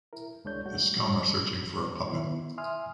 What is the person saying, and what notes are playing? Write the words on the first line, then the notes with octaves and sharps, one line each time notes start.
The scum are searching for a puppet.
E4 A#4
C#2 G#3 D4 C#5 G6
G3 A3 F#4
D#3 B3 E4
E5 G#5 C6 D#6 F6